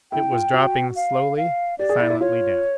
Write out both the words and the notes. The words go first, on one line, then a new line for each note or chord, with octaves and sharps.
It was dropping slowly, silently down.
E4 G5
F4
F#4
F5
F5
G4 D5
G#4
E4
E4
F4 C#5